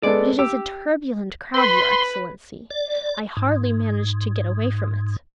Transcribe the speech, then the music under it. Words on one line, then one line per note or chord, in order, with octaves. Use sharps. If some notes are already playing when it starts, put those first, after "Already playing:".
But it is a turbulent crowd, your excellency--I hardly managed to get away from it.
G#3 B3 A4 D5
G4 E6
B4 B5 C6
D5
G#2